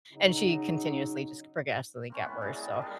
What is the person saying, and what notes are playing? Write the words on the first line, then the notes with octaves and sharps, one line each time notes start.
and she continuously just progressively got worse. So,
C#3 F#3 D#4
A#3 C4 C#4
A2 E3 B3 B4
C3 D#3 G#4 D5
G#4 A5
G3 A#4 D#5
G2 A#2 G3 A5